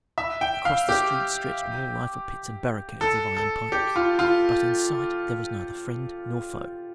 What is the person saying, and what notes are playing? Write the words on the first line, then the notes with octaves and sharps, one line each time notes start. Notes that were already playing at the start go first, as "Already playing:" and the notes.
Across the street stretched more rifle-pits and barricades of iron pipes, but in sight there was neither friend nor foe.
E5
G5
F5
G4
A4
A4
G4
F4
F4